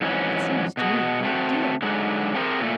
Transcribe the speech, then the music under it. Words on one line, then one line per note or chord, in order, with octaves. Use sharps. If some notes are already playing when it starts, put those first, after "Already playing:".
"It seems to me a great deal."
F2 G#2 E3 F#3 C#4
B2 F#4 G#4
A3 C4 F#4
D3 F#3 G#3 D#4
A3 C4 G4 G#4 A#4 C5
A#2 A3